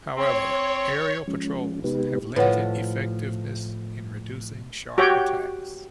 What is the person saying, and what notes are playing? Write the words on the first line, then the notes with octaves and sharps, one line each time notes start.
However aerial patrols have limited effectiveness in reducing shark attacks.
C4 C#5
F3 G#3 C#4
C3 G#3 B3 D#4 G4 B4
A2 F3 B4 C#5 F#5
F#4 G4 C#5 G5